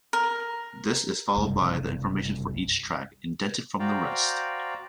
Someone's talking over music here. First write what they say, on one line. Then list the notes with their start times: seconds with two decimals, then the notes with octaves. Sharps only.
This is followed by the information for each track, indented from the rest.
0.13 A#4
1.36 F#1 C2 G2
3.80 F#4 C5 D5 F5 G5 A#5